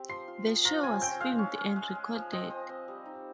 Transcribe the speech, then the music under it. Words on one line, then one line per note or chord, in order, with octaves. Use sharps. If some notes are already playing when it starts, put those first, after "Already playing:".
The show was filmed and recorded.
Already playing: C4 G4
F3 C6 C7
F4
F3
F4 A#5 A#6
C#3 G#5 G#6
C4 G5 G6
G#3 F5 F6
C#4
C#4
G#3
G#3
F3
C4 D#5 D#6
C4
C4
G3
D#4